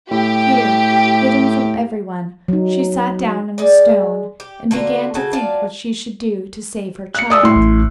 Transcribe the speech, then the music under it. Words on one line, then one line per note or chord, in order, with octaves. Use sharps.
Here, hidden from everyone, she sat down on a stone and began to think what she should do to save her child.
A2 G4
F#3 D#4
G#3 D5
G4
D3 A#3 F4 F#4
C#3 F#4 A4 G#5
F#3 F4 D5 A5
F#6 C#7
D5 D#6 E6
A2 C6
A1